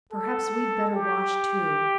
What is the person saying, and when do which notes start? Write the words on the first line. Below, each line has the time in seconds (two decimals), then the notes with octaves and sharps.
Perhaps we'd better wash too.
0.12 A4
0.93 G4